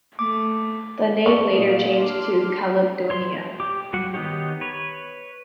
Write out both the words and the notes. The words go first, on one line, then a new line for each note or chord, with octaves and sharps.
The name later changed to Caledonia.
A3 D6
E3 C4 D5 A5 C#6
A#2 F#3 F4 D#5
D4 C6 D6 F6
C#5 C6
G4 D6
F#3 G3 F#4 F#5
D#3 B3 D#4 G4 C#5
B4 C#5